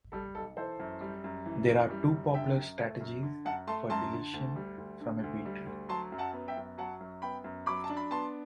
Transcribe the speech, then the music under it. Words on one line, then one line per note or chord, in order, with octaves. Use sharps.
There are two popular strategies for deletion from a B-tree.
G3 A4
B1 A4
E3 A4 C5
F#2
G3
F#2
E3
F#2
G3
F#2
D3 E5 G5
F#2
A3
F#2
D3
F#2 F#5 A5
A3 A5 C6
F#2 A5 C6
D3
D2
G3
D2
D3
D2
G3
D2
F#3 A5 C6
F#2
F#5 A5
B3
E5 G5
F#2
F#3 F#5 A5
F#2
B3 G5 B5
F#2
F#3 B5 D6
A5
D4
B5
B3 A5 C6